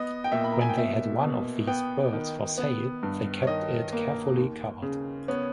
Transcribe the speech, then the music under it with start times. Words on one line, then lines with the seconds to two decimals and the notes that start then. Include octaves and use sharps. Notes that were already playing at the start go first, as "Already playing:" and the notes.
When they had one of these birds for sale they kept it carefully covered.
Already playing: B3 D#5
0.24 G5
0.32 A#2 E5
0.44 B5
0.52 A#5
0.61 G#5
0.69 G5
0.77 B2 E5
1.22 B2
1.67 B3 G5
2.13 D#3
2.58 B3
3.03 G2
3.42 C#5
3.47 D#3 D#5
3.93 A#3
4.37 D#2
4.82 C#3
5.28 B3 C#5